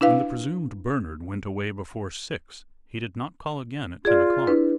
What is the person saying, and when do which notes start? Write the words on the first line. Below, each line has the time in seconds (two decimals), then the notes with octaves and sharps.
When the presumed Bernard went away before six, he did not call again at ten o'clock.
0.01 D4 E4 B4 F5
4.05 F4 G#4 D5
4.47 D4 E4 B4